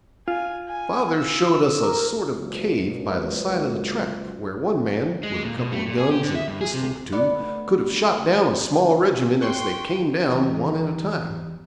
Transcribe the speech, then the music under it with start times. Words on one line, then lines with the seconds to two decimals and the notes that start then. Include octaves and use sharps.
Father showed us a sort of cave by the side of the track, where one man, with a couple of guns and a pistol or two, could have shot down a small regiment as they came down one at a time.
0.28 F4 G#5
0.69 G#5
1.17 E6
1.79 A#4
2.32 F#1 C#2
5.23 G#3
5.44 A#2
5.57 B2
5.72 A3
5.86 A#2
5.98 G#4
6.11 G4
6.24 D3
6.35 E5
6.48 G2
6.61 G#4
6.74 C3
7.12 D2 B3 D5
9.41 G5 C6 C#6 F#6
10.30 E2 E3 G3 D#4 A#5